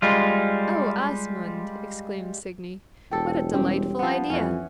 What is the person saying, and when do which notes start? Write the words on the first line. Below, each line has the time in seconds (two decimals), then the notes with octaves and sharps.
'Oh, Asmund!' exclaimed Signy, 'what a delightful idea!
0.02 G3 G#3 F4
3.11 E1 G4 A4
3.53 G3 C4 C#4 G4
3.99 F3 B3
4.30 F2 E3 C#4